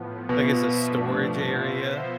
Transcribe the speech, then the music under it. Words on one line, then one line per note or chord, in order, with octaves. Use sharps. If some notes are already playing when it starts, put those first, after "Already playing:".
Like, it's a storage area.
Already playing: A2 F3 B3
B2 F3 B3 F4 B4 E5
G2 F3 A3 D4
F3 B3 F4 C5 E5